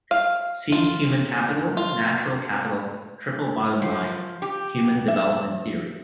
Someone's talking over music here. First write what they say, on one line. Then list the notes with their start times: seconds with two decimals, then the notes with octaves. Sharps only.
See human capital, natural capital, triple bottom line, human development theory.
0.11 F5
0.72 F4
1.77 F4
3.82 F3
4.42 G4
5.08 E5